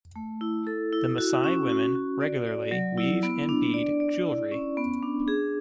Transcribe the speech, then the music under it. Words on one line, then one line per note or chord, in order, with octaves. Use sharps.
The Maasai women regularly weave and bead jewellery.
A3
E4
A4
E4
F#4
C#4
F#4
F#4
D5
D5
F#3
E4
B3
D4
D5
D5
E4
C#4
B3
D4
G#4